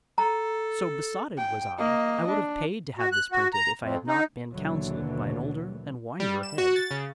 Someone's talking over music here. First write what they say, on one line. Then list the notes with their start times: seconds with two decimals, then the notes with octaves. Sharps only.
So besotted was I, I would have paid to have this printed if I had not been counselled by an older and wiser head.
0.18 A4 A#5
1.38 G5
1.79 A#3 D#5
2.28 D4
2.98 F#4
3.12 F#6
3.32 F#4
3.54 A#5
3.81 F2
4.07 D#4
4.53 D#2 B2 D3 E3 F#3
6.20 G3
6.43 E7
6.58 F#4
6.76 A6
6.91 C#3